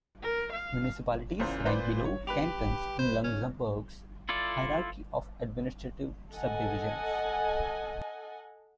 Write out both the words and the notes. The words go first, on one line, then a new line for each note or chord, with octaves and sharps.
Municipalities rank below cantons in Luxembourg's hierarchy of administrative subdivisions.
A#4
F5
E2 A#2 C#3 C5
B4 C5 D5
C#5
G4 B4 B5 F7
C5
C#4
E4 F4 A4 D5
A4 D#5 F#5 G#5